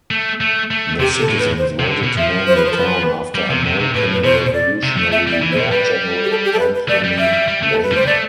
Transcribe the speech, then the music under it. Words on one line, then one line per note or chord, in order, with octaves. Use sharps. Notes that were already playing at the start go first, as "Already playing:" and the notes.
The citizens voted to name the town after American Revolutionary War General Anthony Wayne.
A3
A3
A3
C3 G4
A4
A2
B4
C5
C3
D3
B2
F3 E5
C5
B4
C5
A4
B4
G3
C3
C3
C3
A2 B4
B4
B2 C5
C5
D5
C3
A3
A3 E5
G3 D5
E3
C5
B2
G3 B4
G4
A4
G4
A4
B4
B4
A3 D5
G3
G3 E5
G3
G3
A3
A4
B4
G3 C5
A3 D5